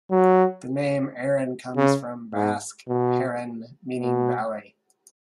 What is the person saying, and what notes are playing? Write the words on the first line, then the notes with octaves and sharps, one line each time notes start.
The name Aran comes from Basque "haran", meaning valley.
F#3
C#3
G#2
B2
B2